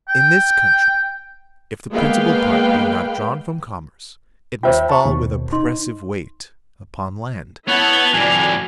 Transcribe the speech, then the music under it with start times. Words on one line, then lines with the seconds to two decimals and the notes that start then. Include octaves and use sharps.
In this country, if the principal part be not drawn from commerce, it must fall with oppressive weight upon land.
0.08 G5
1.92 G#3 A#3 B3 B4 F5 G5
4.63 D#2 F4 C5 C#5 E5 G5
4.89 A5 C#6
5.05 D#2 B2
5.53 D#4 C6
7.68 B3 E4 B4 C#5 F#5 A5 F7
8.13 F2 A2 F#4 D5 G#5